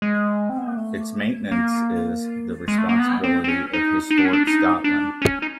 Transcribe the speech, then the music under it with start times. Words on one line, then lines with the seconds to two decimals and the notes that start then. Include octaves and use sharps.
Its maintenance is the responsibility of Historic Scotland.
0.02 G#3
0.49 C4
0.58 B3
0.67 A#3
0.77 A3
1.51 A#3
2.68 G#3
2.78 A3
2.89 A#3
3.00 B3
3.24 C4
3.44 C4
3.48 C#4
3.73 D#4
4.10 D#4
4.18 D4
4.25 C#4
4.33 D4
4.47 D#4
4.84 D4
5.22 C#4
5.42 D#4